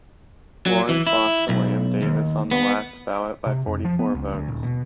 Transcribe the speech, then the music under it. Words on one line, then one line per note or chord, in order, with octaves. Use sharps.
Lawrence lost to William Davis on the last ballot, by forty-four votes.
F#3
E3
E4
B1
D#2
B3
C3
F2
F3
B3
C#2
D2
D#1
B2